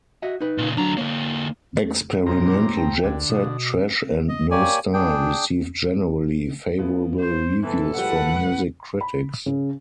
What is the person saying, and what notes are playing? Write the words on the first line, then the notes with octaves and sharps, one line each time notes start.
"Experimental Jet Set, Trash and No Star" received generally favorable reviews from music critics.
F#4 D#5 E5
D#4 B4
A#2 C#3
D2 F#3 D4 A#5
D3 A#3 C#5
F#2 B2 C4 A#5
F#2 B2 E3 D6
G5 A5
D2 D3 G#6
B2 D#6
D#5
A#3 G4 C#5 D5 G#5
D4 G#4 G5
F3 B3 E4
C5
F#1 A2 E3 B3 A4
F3 G3 G4 B4 F#5
C#2
B5
C#3